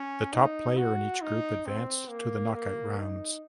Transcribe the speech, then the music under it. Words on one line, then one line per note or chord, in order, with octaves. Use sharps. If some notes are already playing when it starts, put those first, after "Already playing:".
The top player in each group advanced to the knockout rounds.
Already playing: C#4
D#4
F#4
D#4
C4
A#3
A#3
D#4